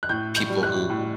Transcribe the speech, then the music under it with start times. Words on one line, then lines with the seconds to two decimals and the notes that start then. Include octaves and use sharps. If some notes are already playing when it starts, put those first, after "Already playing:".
people who
0.03 F#6
0.09 A2 G6
0.36 G6
0.50 G3
0.63 F#6
0.90 A2